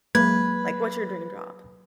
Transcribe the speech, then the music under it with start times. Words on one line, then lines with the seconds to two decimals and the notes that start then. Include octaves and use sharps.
Like, what's your dream job?
0.15 F#3 G#3 A#3 B4 G#6